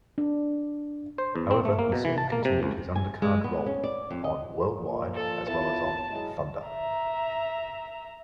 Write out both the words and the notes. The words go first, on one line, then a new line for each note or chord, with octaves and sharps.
However, he soon continued his undercard role on "WorldWide" as well as on "Thunder".
D4
C5
E2
C4
A3
A#3
B2
E3
A5
A#3
C3
C#2
G#5
G#3
B3
C#4
D5
F2
D#5
A#2 F3
A4
B3 E4 F4 A5
F#3 G#3 E4
E5 A#5